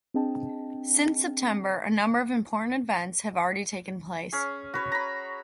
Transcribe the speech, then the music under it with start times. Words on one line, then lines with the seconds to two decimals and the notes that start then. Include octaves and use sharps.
Since September, a number of important events have already taken place.
0.14 C4 D4 G#4 D#5 G5 A5
4.33 C#4 G#4
4.74 F#4 B4 C#5
4.92 A#5 B5